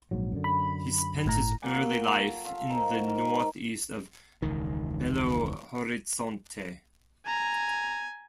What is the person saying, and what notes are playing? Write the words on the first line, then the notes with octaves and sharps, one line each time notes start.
He spent his early life in the northeast of Belo Horizonte.
A#1 G#2 F#3
F#2 D3
B5
G1 A2 A#5
A#2 F#3 A#3 G#5
A4
F4 E5 F5 A5
D#4 G#4 A#4 C5
F#3
G#2 A#4
E1 C#2 D#3
G#5 A#5